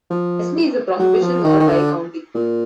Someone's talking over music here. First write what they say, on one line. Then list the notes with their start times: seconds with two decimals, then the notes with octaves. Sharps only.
Leslie is a prohibition or dry county.
0.10 F3
0.99 F#3
1.22 F3
1.44 D#3
1.60 D#3
1.67 D3
2.35 A#2